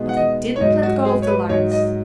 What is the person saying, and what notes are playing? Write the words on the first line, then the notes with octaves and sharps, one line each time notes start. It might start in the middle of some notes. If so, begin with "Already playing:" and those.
But he didn't let go of the lines!
Already playing: B2 G#3 B3 D#4
F#5
D#5
C#5
G#2 F#3 D#4 D#5
F#4
G#4
C#5
B4
G#2 F#3 D#4 C#5
D#5